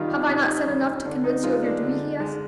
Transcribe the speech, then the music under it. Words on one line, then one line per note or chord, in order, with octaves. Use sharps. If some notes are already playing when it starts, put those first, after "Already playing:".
"Have I not said enough to convince you of your duty?" he asked.
Already playing: C3 D#3 G3 D#4 F4
G4
C3 D#4
D#3 G3
D3 D4
D#4
G#3 F4
D4
D3
G#3